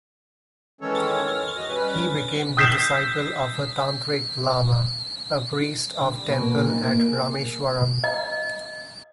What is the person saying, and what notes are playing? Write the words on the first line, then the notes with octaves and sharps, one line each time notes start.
He became the disciple of a Tantric lama, a priest of temple at Rameswaram.
D#3 E3 G#3 C#4 A4 C#5
F6
F#4 D#5
G3 C#4 B4
D#6 E6 G6 B6 C7 E7
D3
G3
B2
A#3
A#2
D#4
A#3
G#4
D#5